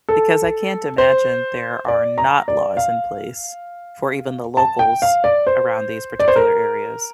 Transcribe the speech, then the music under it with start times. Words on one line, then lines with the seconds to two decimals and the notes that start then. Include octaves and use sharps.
because I can't imagine there are not laws in place for even the locals around these particular areas.
0.09 A4
0.98 C5
1.88 D5
2.18 A#5
2.48 D5
2.77 F5
4.57 A5
4.79 G5
5.02 F5
5.24 D5
5.47 C5
6.20 D5
6.28 C5
6.36 A#4